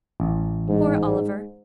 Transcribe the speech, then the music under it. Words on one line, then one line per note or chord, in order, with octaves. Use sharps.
Poor Oliver!
A1
G#2